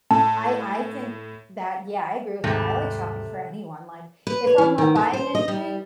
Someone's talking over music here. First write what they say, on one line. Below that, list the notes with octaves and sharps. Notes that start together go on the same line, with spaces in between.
I I think that yeah, I agree with that. I like shopping for anyone, like, if I'm not buying anything,
A2 A5
D#2 G#2 C3 G3 A3
B4
C#5
E3
D#3
D3
C5
D#5
G3